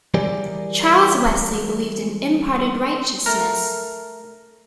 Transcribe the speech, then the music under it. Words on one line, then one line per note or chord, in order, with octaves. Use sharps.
Charles Wesley believed in imparted righteousness.
E3 G3 G4 G#4 A#4 D5
A3 A#4